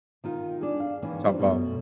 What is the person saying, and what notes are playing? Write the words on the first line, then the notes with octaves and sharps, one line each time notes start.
Talking about
D#3 D#4 F4
D4 G#4
F5
D#3 E3 A#3 C#4
F3 G3 D4
F#2 B2 A3